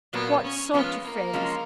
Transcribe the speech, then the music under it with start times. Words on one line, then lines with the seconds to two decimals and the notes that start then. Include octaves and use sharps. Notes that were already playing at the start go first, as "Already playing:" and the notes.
What sort of friends?
0.13 A#2 F#3 A#3 B3
0.44 C#4
0.73 F3 G#3 B3 C#4 F4
1.03 A#3
1.33 F3 G#3 C#4 F4